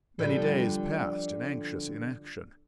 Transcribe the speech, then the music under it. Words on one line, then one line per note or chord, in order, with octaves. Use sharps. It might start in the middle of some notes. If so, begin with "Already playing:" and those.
Many days passed in anxious inaction.
D3 F3 G3